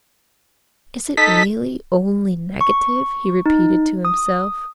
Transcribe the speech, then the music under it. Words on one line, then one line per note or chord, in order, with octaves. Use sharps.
"Is it really only negative?" he repeated to himself.
D#4 A4 B6
C#6
D#4
D#6